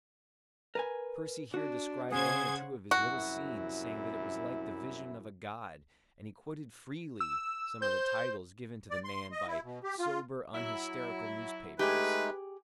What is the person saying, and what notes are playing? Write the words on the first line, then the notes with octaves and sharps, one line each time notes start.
Percy here described one or two of his little scenes, saying that it was like the vision of a god: and he quoted freely some of the titles given to the Man by sober, unhysterical newspapers.
A#4 B4 G#5
D4 F#4
C#3 G#4 C5 F#5 G#6
C2 F#2 E4 F#4
E6
C5 G6
D5
C6
D#5
E4
B2
G4
F4
F#3 E4
G#3 A3 D#4 G4 G#4 B4